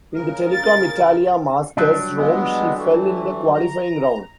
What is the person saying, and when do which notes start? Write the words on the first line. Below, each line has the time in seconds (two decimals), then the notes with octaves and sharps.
In the Telecom Italia Masters Rome she fell in the qualifying round.
0.14 C#3 A#4
0.54 A6
1.77 F#3 G3 D4
2.17 G#3 B3
2.78 E3 A3
3.54 A#5